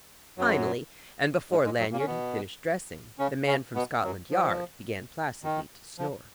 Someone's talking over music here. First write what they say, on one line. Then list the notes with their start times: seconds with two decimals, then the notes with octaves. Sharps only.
Finally, and before Lanyard had finished dressing, the man from Scotland Yard began placidly to snore.
0.38 F#2 F#3
1.51 G#2 G#3
1.65 G#2 G#3
1.79 F#2 F#3
1.92 A#2 A#3
1.99 C#4
2.06 B2 B3
3.19 C#3 C#4
3.47 C#3 C#4
3.75 B2 B3
4.03 F#2 F#3
4.31 F3
5.43 D#3
5.99 F3